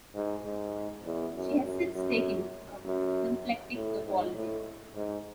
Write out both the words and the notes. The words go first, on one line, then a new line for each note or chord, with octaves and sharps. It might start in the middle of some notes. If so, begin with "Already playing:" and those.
She has since taken up symplectic topology.
G#2
G#2
E2
F#2
F#2
F#2
F#2
A2
G#2
A2
G#2